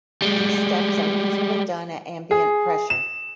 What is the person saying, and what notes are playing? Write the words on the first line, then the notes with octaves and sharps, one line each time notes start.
These steps are usually done at ambient pressure.
G3 G#3
G#4
E7